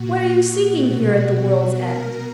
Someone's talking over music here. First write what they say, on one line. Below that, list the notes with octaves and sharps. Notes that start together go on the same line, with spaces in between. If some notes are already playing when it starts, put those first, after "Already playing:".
What are you seeking here at the world's end?'
Already playing: A#2 F#4
F#4
B2
B2 A#4